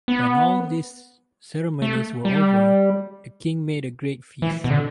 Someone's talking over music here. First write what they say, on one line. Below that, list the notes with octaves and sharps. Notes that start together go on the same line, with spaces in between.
When all these ceremonies were over, the king made a great feast.
B3
A3
G3
E3
B2
D3